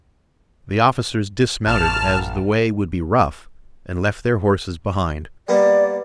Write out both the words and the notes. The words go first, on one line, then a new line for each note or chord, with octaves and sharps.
The officers dismounted as the way would be rough and left their horses behind.
A1 A5 F6
G3 A#3 B3 D5